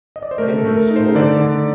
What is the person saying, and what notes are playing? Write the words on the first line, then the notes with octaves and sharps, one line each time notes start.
End of story.
D#5
D5
C5
A3 A#4
A4
A3
A#4
D#4
C5
D3 D5
D3